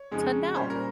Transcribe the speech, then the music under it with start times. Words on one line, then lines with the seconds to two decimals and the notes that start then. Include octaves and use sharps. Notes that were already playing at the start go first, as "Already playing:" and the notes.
to know?
Already playing: C#5
0.11 F2 C#3 G#3 D#4
0.55 A#2 G3 C#4 C5
0.70 A#4